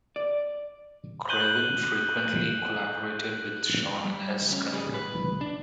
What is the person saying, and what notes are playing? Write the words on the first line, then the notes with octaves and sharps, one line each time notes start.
Craven frequently collaborated with Sean S. Cunningham.
D5
F#6 G6 D#7 F#7 G7
G3
D2 C#4
G3 G#4
B4
D4